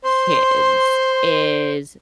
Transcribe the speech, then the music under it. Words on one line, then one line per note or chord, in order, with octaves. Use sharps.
Kids is
C5 C6